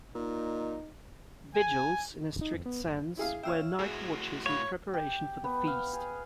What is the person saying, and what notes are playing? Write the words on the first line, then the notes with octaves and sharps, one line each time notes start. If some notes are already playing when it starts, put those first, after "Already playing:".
Vigils, in a strict sense, were night-watches in preparation for the feast.
A#2 D#4
G#5
D#4
F2
B3
F#1
E4 G#4 F5
C#5 E5 F5 G5 E6 F6
A2 F#4 G#4
C#5 F5 B5 C#6
G4
B3
F5
G#4